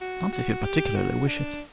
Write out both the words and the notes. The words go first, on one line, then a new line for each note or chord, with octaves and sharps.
"Not if you particularly wish it."
F#4
F#4
G4
F#4
D4